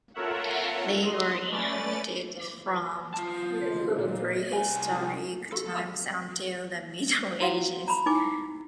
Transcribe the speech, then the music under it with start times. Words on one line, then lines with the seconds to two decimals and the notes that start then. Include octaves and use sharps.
They were inhabited from prehistoric times until the Middle Ages.
0.14 F4 A4 A#4 C#5 E5 F#5
1.01 D#5 C6
1.50 A3 C#4 B4 D5 A6
3.14 F4 A5
3.98 A#2
4.53 C2 G#5
5.52 A4
7.40 E4 F#4 F5 F#5
7.88 A#5 B5
8.06 D#4 E4 G#5 D6